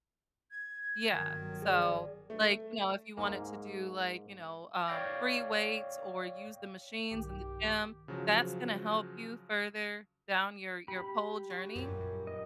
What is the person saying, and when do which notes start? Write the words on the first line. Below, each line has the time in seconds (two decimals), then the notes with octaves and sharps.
Yeah. So, like, you know, if you wanted to do, like, you know, uh, free weights or use the machines in the gym, that's gonna help you further down your your pole journey.
0.51 G#6
1.12 G1 D#3 F#3
1.62 G#4 D5
2.30 A3
3.17 G#2 A#3
4.88 C#5 D5 F5 G5 A#6
7.11 B1 G2 D#3 G4
8.08 C#3 F3 F#3
10.88 G4 B5
11.50 F#4
11.76 F#2 A#2 G3
12.00 F#2
12.27 D#5